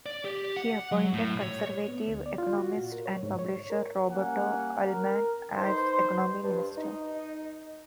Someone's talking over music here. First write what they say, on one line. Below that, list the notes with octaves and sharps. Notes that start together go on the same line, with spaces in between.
He appointed conservative economist and publisher Roberto Alemann as Economy Minister.
D5
G4
F#5
F#3
A2
C#5
B3
D2
D5
F4
F#4
A#2
A#4
C#5
G#2
C#5
C#5
A#4
G3 A#3 C#4 A#4 F#5 G#5
A#4
D#4 B4 C5
G2
D#4